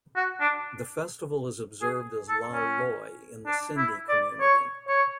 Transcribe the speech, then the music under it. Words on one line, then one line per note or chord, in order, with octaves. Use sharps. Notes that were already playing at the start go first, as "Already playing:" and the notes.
The festival is observed as Lal Loi in the Sindhi community.
F#4
D4
G#4
A4
C#4
D4
E4
D5
C#5
C#5